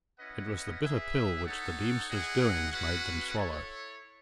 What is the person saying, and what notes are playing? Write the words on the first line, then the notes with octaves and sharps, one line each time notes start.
It was the bitter pill which the Deemster's doings made them swallow.
C#4 E4 B4 D#5 F#5
E4 G#4 B4 E5
D#4 A4 C#5 F#5
E4 G#4 D#5 F#5
G#3 C#4 F#4 B4 F#5
E4 A4 C#5